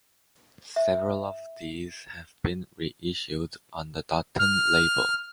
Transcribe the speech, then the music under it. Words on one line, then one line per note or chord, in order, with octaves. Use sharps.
Several of these have been reissued on the Dutton label.
E5
F6